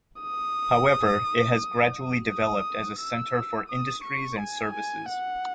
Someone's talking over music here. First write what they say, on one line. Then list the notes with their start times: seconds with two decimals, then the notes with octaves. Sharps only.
However, it has gradually developed as a centre for industries and services.
0.22 D#6
2.30 D#6
2.99 E6
3.69 D#6
4.04 C#6
4.38 G#5
4.73 G#5
5.09 F#5